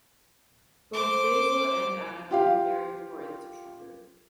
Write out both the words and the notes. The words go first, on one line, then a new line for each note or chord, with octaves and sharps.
Both Basil and Anna became very important to Trepper.
C5 D6
F4 G4 F5